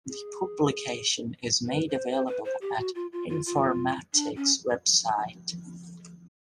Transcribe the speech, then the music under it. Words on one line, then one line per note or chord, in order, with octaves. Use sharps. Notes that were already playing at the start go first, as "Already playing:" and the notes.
The publication is made available at Informatics Website.
G#4
B4
C5
C5
B4
C5
G4
F#4
F4
F4
F4
F4
D4
C#4